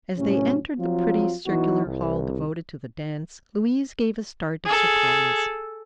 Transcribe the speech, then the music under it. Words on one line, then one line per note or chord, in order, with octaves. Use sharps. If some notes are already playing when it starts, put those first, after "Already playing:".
As they entered the pretty, circular hall devoted to the dance Louise gave a start of surprise.
A2 C3 F#3 C#4
F3 F#3 C4 F4
E3 F#3 B3 D#4 E4 F#4
C2
G#4 A4